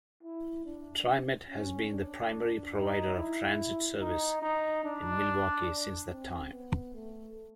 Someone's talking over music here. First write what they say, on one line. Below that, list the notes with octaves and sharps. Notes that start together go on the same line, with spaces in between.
TriMet has been the primary provider of transit service in Milwaukie since that time.
E4
D4
C#4
D4
D#4
E4
D#4
D#4
D4
C4
B3
A3